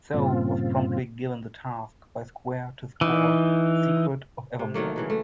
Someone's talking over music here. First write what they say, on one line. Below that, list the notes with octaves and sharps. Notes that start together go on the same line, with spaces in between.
Soule was promptly given the task by Square to score "Secret of Evermore".
G2 A#2 C#3 C4 F4
E3 D#4
C3
D#3 F#3 A3 A#3
C#3 E3 F#3
A3